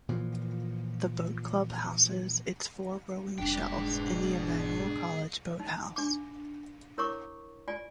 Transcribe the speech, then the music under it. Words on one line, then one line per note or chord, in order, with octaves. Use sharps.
The Boat Club houses its four rowing shells in the Emmanuel College boathouse.
A#2 E3 F3
F1 G#2 B2 G3 D4 G#4 G5
D#4
D4 D6
E4 A#4 C#5 A#5 C#6 D6
F4 D5 G#5